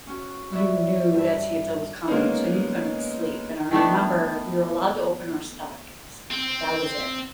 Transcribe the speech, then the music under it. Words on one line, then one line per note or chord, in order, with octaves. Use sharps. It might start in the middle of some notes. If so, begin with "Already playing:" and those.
you knew that Santa was coming so you couldn't sleep, and I remember we were allowed to open our stockings. That was it.
C#4 F#4
E4 F#4 C#5 D5 E5
G2 E5
G#3 A#3 B3 C#4 D#4
D#3 A3 B3 D4
C4